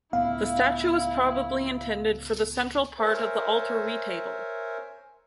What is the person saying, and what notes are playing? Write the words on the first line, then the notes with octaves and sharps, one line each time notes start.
The statue was probably intended for the central part of the altar retable.
C#2 A2 B3 E4 F5
A#4 C5 C#5 E5 G#5